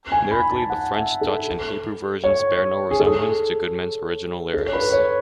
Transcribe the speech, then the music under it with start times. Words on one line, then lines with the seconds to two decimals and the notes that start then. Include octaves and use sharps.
Lyrically, the French, Dutch and Hebrew versions bear no resemblance to Goodman's original lyrics.
0.12 G#5
0.31 B5
0.51 A5
0.70 F#5
0.96 E5
1.21 A4
2.24 C#5
2.91 G#4
3.00 A4
4.54 A4
4.67 C#5
4.73 B4
4.92 C#5